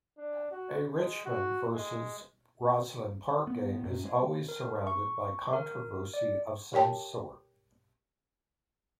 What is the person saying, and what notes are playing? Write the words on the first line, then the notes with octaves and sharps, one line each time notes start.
A Richmond versus Rosslyn Park game is always surrounded by controversy of some sort.
D4
F#4
G#3
F#4
G#3
B3
F#2
G#3
A#4
C#6
A#4
D5
G4 A#4 C#5 G5 A5